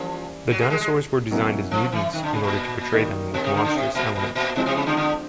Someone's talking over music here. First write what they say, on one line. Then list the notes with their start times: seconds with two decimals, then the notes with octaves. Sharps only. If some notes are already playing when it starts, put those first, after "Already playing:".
The dinosaurs were designed as mutants in order to portray them with monstrous elements.
Already playing: E3 F3 G3 A#3 C#4
0.51 F#3
0.60 G#3
0.70 G#3
0.80 G#3
1.31 B2 F#3 A#3 C#4 E4
1.71 F3
1.92 E3
2.13 D#3
2.23 D3
2.33 C#3
2.43 A#2
2.93 D#3 G3 A#3 D#4
3.34 B2
3.44 C3
3.54 D3
3.65 D3
3.75 C3
3.95 A#2
4.15 A#2
4.35 A#2
4.56 B2 F3 G#3 C4 E4
4.66 C3
4.75 C#3
4.86 D3
4.97 D3